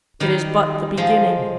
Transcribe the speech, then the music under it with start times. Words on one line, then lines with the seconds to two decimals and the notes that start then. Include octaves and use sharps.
It is but the beginning!
0.20 D#3 G3
0.97 F3 G#3